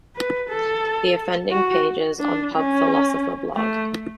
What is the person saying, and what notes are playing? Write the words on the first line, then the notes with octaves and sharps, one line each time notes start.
The offending pages on Pub Philosopher blog.
B4
A4
F#4
D4
C#4
A3